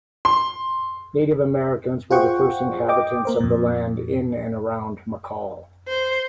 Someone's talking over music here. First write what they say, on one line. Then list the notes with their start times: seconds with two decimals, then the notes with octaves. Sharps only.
Native Americans were the first inhabitants of the land in and around McCall.
0.25 C6
2.11 F4 G#4 C5 F#5 G5 C#6
2.88 D#5 G5 D6
3.25 A#3 A#4 C5
3.40 F2 A#2
5.88 C5